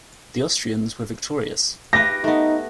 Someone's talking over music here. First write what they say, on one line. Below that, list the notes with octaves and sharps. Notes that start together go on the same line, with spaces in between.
The Austrians were victorious.
G4 B4 A#6
A3 B3 D#4